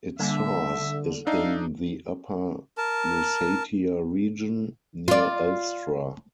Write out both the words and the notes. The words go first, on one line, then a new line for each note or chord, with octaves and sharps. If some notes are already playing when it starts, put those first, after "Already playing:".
Its source is in the Upper Lusatia region, near Elstra.
D3 G3 A#3 E5
D4 D#4 E5 F5
A#4 A5
F4 D5